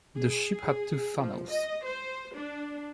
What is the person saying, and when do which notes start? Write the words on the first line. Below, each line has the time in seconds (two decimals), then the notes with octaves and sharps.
The ship had two funnels.
0.18 G#4
1.17 F3
1.48 D#5
1.84 C5
2.34 D4